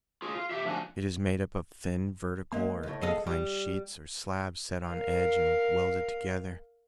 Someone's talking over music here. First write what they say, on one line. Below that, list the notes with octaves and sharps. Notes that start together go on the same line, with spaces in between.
It is made up of thin vertical or inclined sheets or slabs set on edge and welded together.
F4 G#4
F4
G4 E5
A2 F3 D4 F#4 G#5
G#3 A#3
C#2 A2
G#4 A4 D#5 F5 F#5
G3
A#4 F5